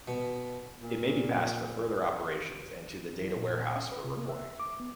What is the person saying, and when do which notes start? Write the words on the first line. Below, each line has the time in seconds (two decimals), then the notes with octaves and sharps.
It may be passed for further operations and to the data warehouse for reporting.
0.08 B2
0.81 A#2
3.20 E4
3.36 A#2
3.76 C#4
3.92 B4
4.04 C3
4.17 A#3
4.29 E5
4.60 D6
4.80 B3